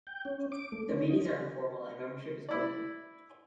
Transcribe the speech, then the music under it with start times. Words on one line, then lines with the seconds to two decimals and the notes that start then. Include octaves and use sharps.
The meetings are informal, and membership is open.
0.07 G5
0.25 C#4
0.52 D6
0.72 A3
0.89 C#4
1.07 D#4
2.49 E4 D5